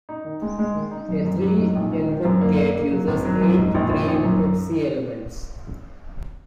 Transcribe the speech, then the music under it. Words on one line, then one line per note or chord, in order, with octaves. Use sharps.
A three input gate uses eight three-input C-elements.
D#4
D#3
G#3
G#3
D#3
D#4
F#2
F#2
F#3
G#2
A#1
G#2
D#3
F#2
A#3
A#3
A#3
F#3
G#1
F#3
F#2
G#2
A#1
A#1
A#1
F#2